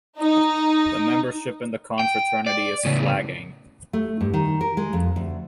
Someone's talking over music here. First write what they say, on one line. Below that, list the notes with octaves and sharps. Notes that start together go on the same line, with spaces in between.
The membership in the confraternity is flagging.
D#4
G5
D5
A2 C#3
A3
G2
D#3
A#4
G#3
F2
D2